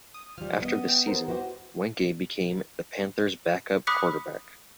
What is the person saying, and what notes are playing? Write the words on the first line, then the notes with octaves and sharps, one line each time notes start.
After the season, Weinke became the Panthers backup quarterback.
D#6
F3 G3 F6
B3 D#5
G5
G4 A#4 C5
B3 E4 F#4 G4 B4 C5
B5 D6 D#6 F#6 B6 C#7